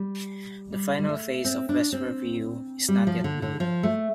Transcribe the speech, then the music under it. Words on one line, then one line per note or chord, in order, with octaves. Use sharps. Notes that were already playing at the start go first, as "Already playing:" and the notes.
The final phase of Vesper view is not yet built.
Already playing: G3
G3
G3
A3
C4
D4
C4
G3
F3
D3
D3
F3
A3